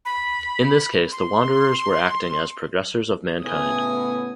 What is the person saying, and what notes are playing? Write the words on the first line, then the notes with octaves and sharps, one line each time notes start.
In this case, the Wanderers were acting as progressors of mankind.
B5
C6
A2 C#3 B3 G#5 D#6